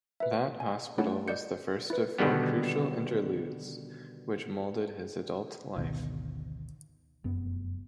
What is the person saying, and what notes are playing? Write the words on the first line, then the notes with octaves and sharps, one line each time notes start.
That hospital was the first of four crucial interludes, which molded his adult life.
B4 E5
G#5
A3 C#4 D4 E4 C#5 F#5
D5 D#5 G6 C#7
E4 B4
B2 D3 D#3 G3 B3
G#1 D2 B2 D#3
F1 F#2 B3